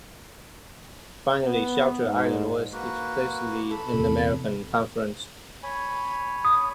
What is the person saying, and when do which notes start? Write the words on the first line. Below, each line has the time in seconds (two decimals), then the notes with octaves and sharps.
Finally, Shelter Island was explicitly an American conference.
1.43 B3
2.05 G#2
2.73 A#3 F#4 B4
3.71 A4 B5
3.94 E2 C3
5.63 C#5 G#5 B5
6.45 D#6